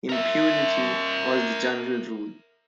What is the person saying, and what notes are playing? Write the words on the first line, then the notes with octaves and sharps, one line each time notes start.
Impunity was the general rule.
A#4 E5